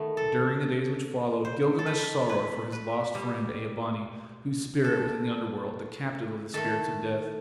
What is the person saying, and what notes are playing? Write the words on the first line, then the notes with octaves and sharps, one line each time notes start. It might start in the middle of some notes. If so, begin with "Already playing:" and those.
During the days which followed Gilgamesh sorrowed for his lost friend Ea-bani, whose spirit was in the Underworld, the captive of the spirits of death.
Already playing: D#3 A3 B3
A4
C5
A4
B4
B4
B4
B2 G3
A4
D#3 A3 A4